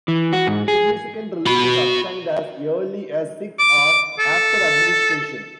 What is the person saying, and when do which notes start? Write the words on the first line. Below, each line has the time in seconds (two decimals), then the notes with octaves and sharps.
Significant relief is obtained as early as six hours after administration.
0.08 E3
0.33 F#4
0.47 G#2
0.68 G#4
1.46 F#4 B5
3.59 D6
4.19 A4